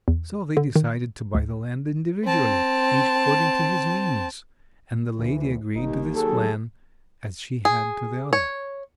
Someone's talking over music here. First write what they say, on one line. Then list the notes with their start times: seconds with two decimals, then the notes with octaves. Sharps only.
So they decided to buy the land individually, each according to his means; and the lady agreed to this plan as she had to the other.
0.08 E2
0.57 D3
0.76 D#3
1.35 D2
2.25 C4 A5
5.19 D2 E3
5.75 G1 D#2 D#4
6.16 F#3 G#4 A4
7.65 G#4
8.33 C#5